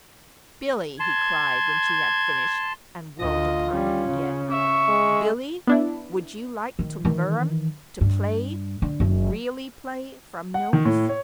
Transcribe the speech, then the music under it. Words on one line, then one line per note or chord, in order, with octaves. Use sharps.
"Billy," he cried, when she had finished and whirled upon him again, "Billy, would you like to learn to play--really play from notes?"
A5 C6 G#6
D2 F4 D#5
G3 C#4
C#3
E5 C#6
G#3
B3 D4 E4
D#3
D#3 E3
G2
D3
F#1 F#3
F#5
D#3
A2
C#5